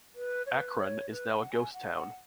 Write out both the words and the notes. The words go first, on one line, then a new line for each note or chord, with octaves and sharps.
Acron is now a ghost town.
B4
C#5
B4
C#5
B4
F#5
G#5
F#5
F#5